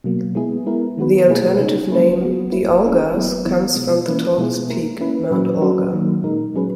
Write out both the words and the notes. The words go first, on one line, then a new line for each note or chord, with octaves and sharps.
The alternative name, "The Olgas", comes from the tallest peak, Mount Olga.
B2 F#3 A#3
G#3 B3 E4 G#4
G#3 B3 E4 A#4
D#3 G#3 B3 F#4 B4
B2 A#3 E4 G#4 B4
C#3 G#3 D#4 G#4
F#3 A#3 C#4 E4 B4
F#3 B3 F#4
A#3 E4 B4
A#3 C#4 E4 G#4
F#3 B3 E4 B4
E3 B3 E4
B2 G#3 B3
E3 A#3 C#4 E4 B4
B2 G#3 B3 E4 G#4
A#3 E4 A#4
A#3 C#4 E4 B4
A#2 F#3 C#4 F#4 B4
F#3 C#4 F#4 B4
D#3 F#3 A#3
A#2 G#3 D#4 A#4
A#2 F#3 C#4 G#4 B4